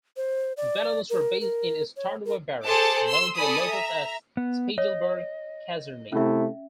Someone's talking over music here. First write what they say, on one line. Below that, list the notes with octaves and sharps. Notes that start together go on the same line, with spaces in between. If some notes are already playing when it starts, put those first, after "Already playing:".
The battalions were based in Stornoway Barracks, known to the locals as Spiegelberg Kaserne.
C5
D5
A#4
A#4
C#5
A#4
G#4 A4 C5 A5 D6
C6 E6
A4 D5 G#5 B5 D#6
E5 A#5
B3
C#5 D#5
C3 A3 C#4 E4 E5